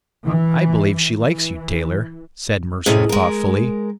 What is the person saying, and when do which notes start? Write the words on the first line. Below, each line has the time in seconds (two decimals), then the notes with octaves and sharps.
"I believe she likes you, Taylor," said Mercer thoughtfully.
0.24 E3
1.21 E3
2.86 A2 C3 C#4 G#4 A4 D#5
3.09 G#3 A#4